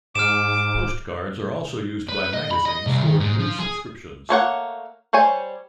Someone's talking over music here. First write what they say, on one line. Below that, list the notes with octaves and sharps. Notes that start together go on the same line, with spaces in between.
Postcards are also used by magazines for new subscriptions.
G#2 D6 F6 E7
B4
D#5
B5
D#5
C2
D#3
G#2
F3
G#4
A3 A#3 C#5 F#5
G3 C5 C#5 G#5